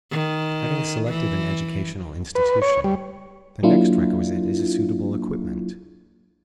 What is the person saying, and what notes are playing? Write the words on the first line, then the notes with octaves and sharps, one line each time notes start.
Having selected an educational institution, the next requisite is a suitable equipment.
D#3
E3
B4
C#5
G3
F#3 A#3 D4 E4 F4